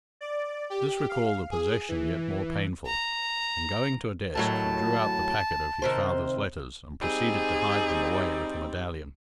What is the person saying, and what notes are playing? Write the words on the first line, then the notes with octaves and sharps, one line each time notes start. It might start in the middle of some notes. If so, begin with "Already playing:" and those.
This recalled a possession yet more painful, and going to a desk, he drew out the packet of his father's letters and proceeded to hide them away with the medallion.
D5
G4
F5
G#4
E3
A#5
D#2 A2 F#3 A5
C3 D#3 C5
G3 C4 D#4 G#4